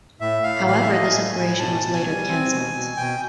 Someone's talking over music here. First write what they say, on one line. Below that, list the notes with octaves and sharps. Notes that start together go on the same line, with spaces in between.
However, this operation was later canceled.
A2 E5
A2 F5
E3 F5
E5
A3 D#5
A2 G#5
A2 G#5
B2 A5
B2
G#5
G3
C4
B2
B2
B2 G5